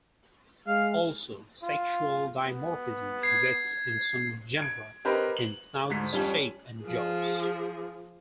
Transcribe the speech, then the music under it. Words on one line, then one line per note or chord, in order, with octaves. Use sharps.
Also, sexual dimorphism exists in some genera in snout shape and jaws.
G#3 F5
F4
B3
G#6 C7
G#6 D7
C4 G4 A#4 B4 D#5
F#7
D2 G#2 B6
F2 G3 C#4
F3 G#4